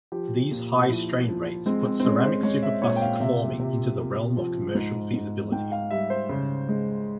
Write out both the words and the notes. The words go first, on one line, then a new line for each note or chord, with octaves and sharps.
These high strain rates put ceramic superplastic forming into the realm of commercial feasibility.
F3 G4
A#2
F3 E4
F3
G#3 C4
C4
C4
G#3 C#4
C5
G#3 C#5
E5
A#2 C#5
G5
F5
C3 E5
C3
C3
F3
G#2
G#2
G#2 G5
F5
G3 E5
C5
C#3
G#3